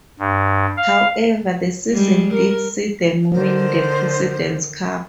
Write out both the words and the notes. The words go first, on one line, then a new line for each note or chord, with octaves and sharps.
However, the season did see them win the President's Cup.
G2
F5
G3 G#3
A#4
D3 D#3 C5